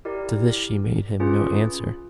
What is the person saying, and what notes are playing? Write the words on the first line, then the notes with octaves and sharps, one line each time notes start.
To this she made him no answer.
E4 G4 A#4 D5
C#4 F4 G#4 B4